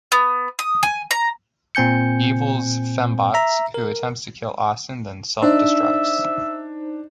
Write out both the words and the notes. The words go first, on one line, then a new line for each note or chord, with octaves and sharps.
Evil's fembots, who attempts to kill Austin, then self-destructs.
B3
D#6
G#5
A#5
A#2 C4 G#5 G6 C#7
E5 A#5
A#4
D4 D#4 C5 E5